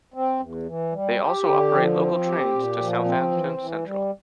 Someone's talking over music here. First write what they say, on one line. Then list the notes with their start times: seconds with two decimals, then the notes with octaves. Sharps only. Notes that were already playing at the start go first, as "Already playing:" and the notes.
They also operate local trains to Southampton Central.
0.14 C4
0.40 E2
0.66 E3
0.93 G3
1.20 G4
1.45 D3
1.73 F3
1.99 C4
2.26 G4
2.52 A#2
2.79 F3
3.05 C4
3.32 E3
3.57 E3
3.84 G3